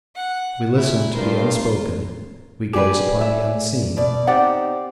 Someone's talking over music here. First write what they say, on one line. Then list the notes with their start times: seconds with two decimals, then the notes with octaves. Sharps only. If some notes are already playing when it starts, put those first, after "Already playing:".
We listen to the unspoken, we gaze upon the unseen.
0.15 F#5
0.75 A#2 E4
1.14 G2 F4 A#4 C5
2.73 G4 G#4 B4 D5
3.21 E5
3.97 B2 D5
4.27 C4 D#4 G4 D5 F#5